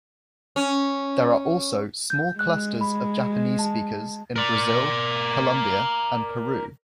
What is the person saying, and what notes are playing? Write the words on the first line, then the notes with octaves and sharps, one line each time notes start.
There are also small clusters of Japanese-speakers in Brazil, Colombia and Peru.
C#4
G6
G#3 F#6
B5
A5
A#4 D5